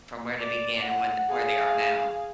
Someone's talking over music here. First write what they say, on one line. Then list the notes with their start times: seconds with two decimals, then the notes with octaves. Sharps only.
from where they began and when where they are now.
0.39 D5
0.82 F#5
1.29 G#4 F5